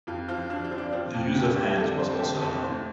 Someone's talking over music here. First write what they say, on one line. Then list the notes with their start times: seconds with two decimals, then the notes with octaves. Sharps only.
The use of hands was also allowed.
0.07 F2 F4
0.28 F3 F4
0.50 F3 D4
0.64 F4
0.71 F3
0.78 D5
0.93 F3 C4
1.14 F2
1.35 F2 G4
1.56 C3 G4
1.70 G4
1.78 D3 A4
1.89 D5
1.99 F2 C5
2.10 A4
2.20 D3 G4
2.41 F2 A4
2.63 A2 C5